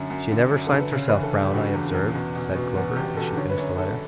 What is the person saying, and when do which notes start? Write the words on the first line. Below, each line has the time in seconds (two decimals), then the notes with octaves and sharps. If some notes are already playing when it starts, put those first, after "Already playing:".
"She never signs herself Browne, I observe," said Clover, as she finished the letter.
Already playing: F#2 D3
0.10 F#2
0.31 D3
0.51 F#2
0.67 A4
0.72 D3
0.80 B4
0.92 C#3 C#5
1.08 B4
1.13 E3
1.23 A4
1.33 C#3 G4
1.54 C#3 F#4
1.74 E2
1.94 E2
2.15 B2
2.35 B2
2.55 B2
2.76 E2 F#4
2.96 E2 G4
3.17 B2 A4
3.37 D3 C#5
3.50 B4
3.57 F#2 C#5
3.78 D3 A4